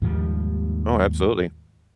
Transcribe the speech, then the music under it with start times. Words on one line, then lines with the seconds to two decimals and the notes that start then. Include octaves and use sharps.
Oh, absolutely.
0.02 D#2 G#2 F3 G3